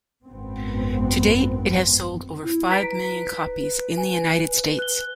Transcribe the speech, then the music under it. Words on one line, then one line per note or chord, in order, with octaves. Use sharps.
To date, it has sold over five million copies in the United States.
G#1 F#2 B3 C4
E4
B4 A#5 B6 D7
G#5
F#6 G7